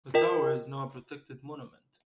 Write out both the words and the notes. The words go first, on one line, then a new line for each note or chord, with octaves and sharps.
The tower is now a protected monument.
F4 A#4 D#5 G5